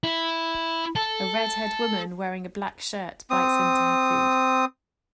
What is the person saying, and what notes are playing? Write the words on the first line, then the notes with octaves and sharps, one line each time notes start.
A redhead woman wearing a black shirt bites into her food.
E4
A4
C4 D#6